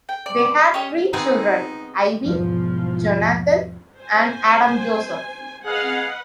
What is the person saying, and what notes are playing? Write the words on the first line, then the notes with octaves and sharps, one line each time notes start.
They had three children: Ivy, Jonathan and Adam Joseph.
G5
D5
C#4 G4 C#5 D#5
B3 C4 D#4 G#4
E2 G#2 B2 F3
C5 G#5
G#4 B4 D#5 F5 F#5